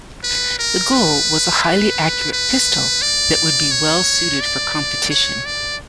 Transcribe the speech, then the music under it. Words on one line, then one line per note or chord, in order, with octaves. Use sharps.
The goal was a highly accurate pistol that would be well suited for competition.
B4
A#4
B4
B4
B4
D5
C#5
D5
C#5
D5